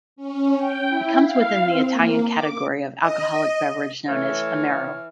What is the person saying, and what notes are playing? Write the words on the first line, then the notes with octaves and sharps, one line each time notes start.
It comes within the Italian category of alcoholic beverage known as amaro.
C#4
G5
E4
F5
C4
A#3
D6
D#5
E3 A3 C#5 F6